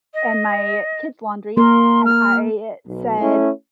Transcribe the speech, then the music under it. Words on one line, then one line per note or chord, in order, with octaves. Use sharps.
and my kids' laundry. And I said,
D#5
A#3 A#4 C6
F6
B1
A3 C#4 E4